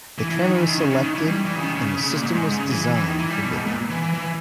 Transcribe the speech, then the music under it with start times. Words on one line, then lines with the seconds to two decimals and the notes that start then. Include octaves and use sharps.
The tramway was selected and the system was designed for bidding.
0.18 E3
0.30 E3
0.42 D#3
0.54 E3
0.67 D#3
0.78 C#3
0.90 C#3
1.03 D#3
1.15 E3
1.27 G3
1.45 E3
1.56 C#3
1.63 D#3
1.75 C#3
1.86 C#3
1.98 C#3
2.10 A#2
2.23 G#2
2.35 G#2
2.52 C#3
2.71 E3
2.83 E3
2.95 E3
3.07 D#3
3.19 E3
3.30 G3
3.43 B2
3.54 G#2
3.67 A#2
3.90 E3
4.02 E3
4.14 E3